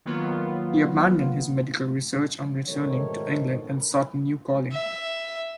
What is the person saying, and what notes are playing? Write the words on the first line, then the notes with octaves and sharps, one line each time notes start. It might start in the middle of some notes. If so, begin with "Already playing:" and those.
He abandoned his medical research on returning to England, and sought a new calling.
D#3 F#3 A#3 B3 F4
G#2 B2 D#3 A3 D#4 C#5
E5